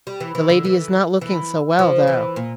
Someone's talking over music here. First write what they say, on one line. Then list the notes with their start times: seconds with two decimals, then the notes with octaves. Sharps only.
The lady is not looking so well, though.
0.07 G3
0.20 E3
0.35 E3
0.50 D3
0.65 E3
1.21 E3
1.79 F3
2.07 E3
2.36 A#2